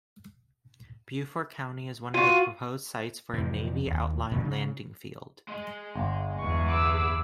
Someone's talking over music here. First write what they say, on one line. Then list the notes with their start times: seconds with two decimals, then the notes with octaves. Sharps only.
Beaufort County is one of the proposed sites for a Navy outlying landing field.
2.14 F4 F#4 D#7
3.33 F2 C3 E3
3.86 D#2
4.31 A#2 D#3 F#3 G#3
4.44 C#3
5.48 G#3 D#5
5.95 G1
6.39 E2 G#4 C#6
6.69 B4 D6 E6